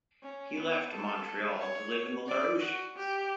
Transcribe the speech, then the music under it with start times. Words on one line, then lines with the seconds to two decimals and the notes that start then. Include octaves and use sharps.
He left Montreal to live in the Laurentians.
0.23 C#4
0.57 B3
0.91 A4
1.59 C#5
2.27 D5
2.61 F#4
2.96 G4